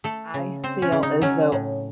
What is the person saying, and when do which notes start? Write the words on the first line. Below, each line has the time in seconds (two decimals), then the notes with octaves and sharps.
I feel as though,
0.04 A3 A4
0.34 C#3
0.64 C4 C5
0.82 C#4
0.92 C#3
1.03 D#4
1.22 F#3 C#4
1.52 A2